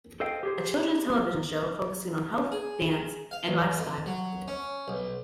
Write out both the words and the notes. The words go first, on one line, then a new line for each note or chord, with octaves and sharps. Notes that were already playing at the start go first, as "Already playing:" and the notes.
A children's television show focusing on health, dance and lifestyle.
A4 C5 D#5 F5 G5
G4 G#4 C5
G#4
F5
A1
F2
F#3
C#4
B1